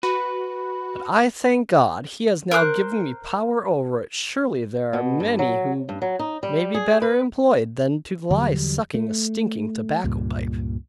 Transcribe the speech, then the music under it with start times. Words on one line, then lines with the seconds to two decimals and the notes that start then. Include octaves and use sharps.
But I thank God, He has now given me power over it; surely there are many who may be better employed than to lie sucking a stinking tobacco-pipe.
0.03 F#4 B4
2.51 A#4 C5 D#6 F#6
4.93 B2
5.20 G2
5.39 F#3
5.89 G2
6.02 F#3
6.19 D#4
6.43 G3
6.74 G#4
7.02 B4
8.30 E2 D3 F#3 G3
8.94 A3
10.04 C#2 G2 A#2